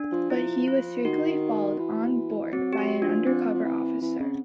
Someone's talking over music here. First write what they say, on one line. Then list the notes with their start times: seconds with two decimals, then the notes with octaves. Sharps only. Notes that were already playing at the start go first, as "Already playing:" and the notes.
But he was secretly followed on board by an undercover officer.
Already playing: D4
0.12 F3
0.30 F3 E4
0.68 F4
1.05 D#3 F#4
1.79 E3
2.53 F#3 C4
2.73 G4
2.77 F#3 F#4
3.02 F3 D4
3.27 F3 C4
3.54 F3
3.64 E3
4.02 E3
4.20 C#3